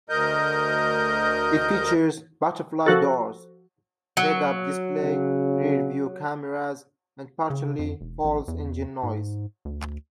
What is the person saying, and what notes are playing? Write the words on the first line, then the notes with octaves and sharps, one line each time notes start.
It features butterfly doors, head-up display, rear-view cameras and partially false engine noise.
D2 A#4 D#5 G6
F3 F#4 A4
F#3
C#3
C#3
F2
E1
A1
E2
G#2
D2